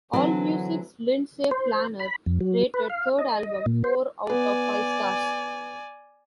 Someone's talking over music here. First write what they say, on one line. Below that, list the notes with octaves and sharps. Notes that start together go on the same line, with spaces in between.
Allmusic's Lindsay Planer rated "Third Album" four out of five stars.
D3 E3 F#3 C4
C5
B5
F2
F#3
B4
F5
D#5
A#2
C5
B3 D5 G#5